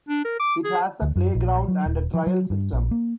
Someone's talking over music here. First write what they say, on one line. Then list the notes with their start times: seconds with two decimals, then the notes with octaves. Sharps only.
It has a playground and a trail system.
0.09 D4
0.25 A#4
0.40 D6
0.65 G#4
1.02 D2
1.16 F#2
1.35 A#1
1.68 F#3
1.86 D#1
2.14 F3
2.27 F#3
2.50 G2
2.73 A#1
2.91 A#3